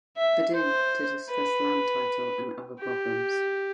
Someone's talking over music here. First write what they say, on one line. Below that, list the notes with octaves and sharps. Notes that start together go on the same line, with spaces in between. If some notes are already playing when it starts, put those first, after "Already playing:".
Badin to discuss land title and other problems.
E5
C5
B4
G4